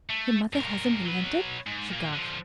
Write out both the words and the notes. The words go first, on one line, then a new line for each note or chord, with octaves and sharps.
"Your mother hasn't relented?" she gasped.
A3
G2 A#4
F#3 B4
G#2
A#2 A#3
D3 F3